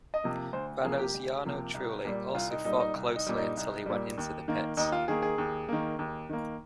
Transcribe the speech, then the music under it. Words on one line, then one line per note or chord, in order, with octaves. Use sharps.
Renault's Jarno Trulli also fought closely until he went into the pits.
D#5
C3 F3 A#3
D2 C5
C3 F3 A#3 G#4
G4
D2
C3 F3 A#3
C2
A#2 G3
C2 F4
D#4
A#2 G3 D#4
D#4
C2
D#4
A#2 G3
D#4
C2
A#2 G3
D#2
D#3 A#3
D#2 D#4
F4
D#3 A#3 G#4
G#4
D#2
D#3 A#3
D#2
D#3 A#3